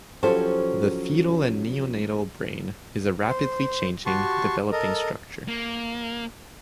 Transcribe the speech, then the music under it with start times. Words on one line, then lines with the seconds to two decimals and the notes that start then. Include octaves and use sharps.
The fetal and neonatal brain is a rapidly changing, developing structure.
0.23 F3 F#3 C#4 G4 A4 C5
3.29 C5
4.06 F#4 G4 A5 C6 C#6
4.72 A4 A#4 D#5
5.48 A#3